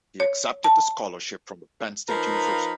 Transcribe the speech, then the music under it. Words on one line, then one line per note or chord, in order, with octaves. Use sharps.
He accepted a scholarship from Penn State University.
C#5
A5
F3 D#4 A#4 B4 F5 B5